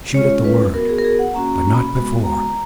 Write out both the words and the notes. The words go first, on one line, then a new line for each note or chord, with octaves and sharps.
Shoot at the word, but not before.
G#3 C#4 F4 C#5
B4
B3 F#4 A#4
G#4
A#4
G#4
F#5
A#3 C#4 F#4 A#5
A#5
B5
G#3 B3 F#4 B5
A#5